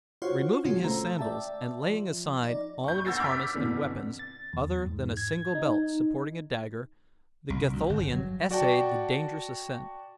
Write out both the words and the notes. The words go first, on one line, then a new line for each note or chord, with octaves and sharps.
Removing his sandals and laying aside all of his harness and weapons other than a single belt supporting a dagger, the Gatholian essayed the dangerous ascent.
F4 F#4 C5 C#5 F5 F#5
B2 D3 G#3 C#4 F4 F#4
A3 C5 A#5
D5 E5 G5 A5
F3
D#4 D5
C#6 G6
F#5 E6 G6 A6 A#6 C7
D6 E6 F6 G6 B6
G1 F2 B2 D3 E3
A6
E2
G#2
G#6
D#4
C2
D2
G1
F#3
F#4 D5 F#5 G5 A5